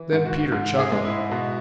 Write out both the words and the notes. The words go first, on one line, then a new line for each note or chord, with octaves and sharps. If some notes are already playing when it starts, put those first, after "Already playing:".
Then Peter chuckled.
Already playing: E3
G#2
F#4
G#2
G#4
G#3
E4
B2